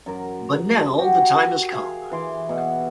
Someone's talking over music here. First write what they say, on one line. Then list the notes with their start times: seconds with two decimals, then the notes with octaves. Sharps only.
But now the time has come.
0.06 F#2 A#4
0.99 F#4 G4
1.72 G#4 F5
2.11 E3 C6 D6
2.49 B2